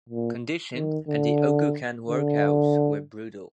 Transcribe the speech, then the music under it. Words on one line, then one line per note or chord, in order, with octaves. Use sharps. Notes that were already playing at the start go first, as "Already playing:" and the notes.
Conditions at the Occoquan workhouse were brutal.
A#2
D#3
D3
D3